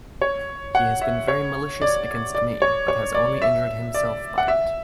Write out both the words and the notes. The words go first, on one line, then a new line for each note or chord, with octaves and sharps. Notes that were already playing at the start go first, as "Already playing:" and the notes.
He has been very malicious against me but has only injured himself by it.
C#5
F#5
E5
C#5
D5
D5
C#5
C#5
D5
E5
D5
F#5
E5